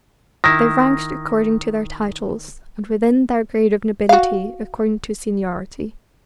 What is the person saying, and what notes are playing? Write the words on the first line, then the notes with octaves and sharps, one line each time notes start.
They ranked according to their titles, and within their grade of nobility according to seniority.
D#3 E4 A#6
F#4 F5